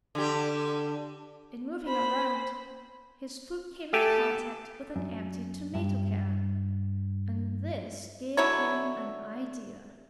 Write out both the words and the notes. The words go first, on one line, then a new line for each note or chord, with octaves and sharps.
In moving around his foot came in contact with an empty tomato can and this gave him an idea.
D3 G4
C5 B5
A3 G4 A4 G#5
F#2
G2
D3 F#3 E4 C#5